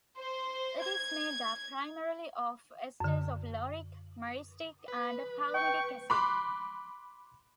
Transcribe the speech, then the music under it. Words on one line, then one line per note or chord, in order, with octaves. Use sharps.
It is made up primarily of esters of lauric, myristic, and palmitic acid.
C5
G#6
F#2 D3
B4
G5 C#6
B5 C6 D6 F#6